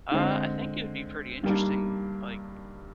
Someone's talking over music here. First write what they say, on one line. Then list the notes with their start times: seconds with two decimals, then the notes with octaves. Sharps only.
Uh, I think it would be pretty interesting, like,
0.11 D3 G#3 C4
1.43 G2 D#3 G3 A#3 D4